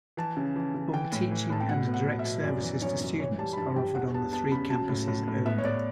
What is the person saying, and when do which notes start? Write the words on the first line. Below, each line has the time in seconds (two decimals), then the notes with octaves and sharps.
All teaching and direct services to students are offered on the three campuses only.
0.17 E3 A5
0.37 C#3
0.56 E3
0.74 C#3
0.93 E3 G5
1.12 A2
1.31 E3
1.50 A2 A5
1.60 G5
1.69 B2 F#5
1.88 B3
1.94 F#5
2.07 B2
2.19 E5
2.25 B2
2.44 F#2 D5
2.63 E3
2.82 F#2 C#5
3.01 F#2
3.20 E3 C#5
3.38 G3 A5
3.53 B5
3.57 G2 A5
3.76 G2 G5
3.95 E2 F#5
4.14 B3 A5
4.33 B3 A5
4.51 C#3 B5
4.70 F#3 A5
4.89 A2
5.08 A2
5.28 A2
5.46 B3 E5
5.58 C#5
5.65 B3 D5